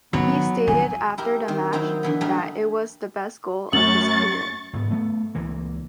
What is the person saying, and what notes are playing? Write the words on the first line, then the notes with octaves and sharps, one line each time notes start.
He stated after the match that it was the best goal of his career.
D#3 F#3 B3
D#3 G#5
E4 G4 A#4
D#3 C4
D#3 F#3 C4 D#4 E4 C5
D3 E3 B3
F#3 G3 A3 G4 G#4 A#4
F#2 A3 C#4 C#6 A6 F#7
F#1 G#2 B3
A3 B3
C#2 E3 A#3